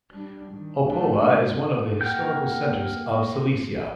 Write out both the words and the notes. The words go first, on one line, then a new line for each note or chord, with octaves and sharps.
Opava is one of the historical centres of Silesia.
G3 D4
D#3
A3 D4
D3 G#3
A#3 A#4 F#5 G5 G6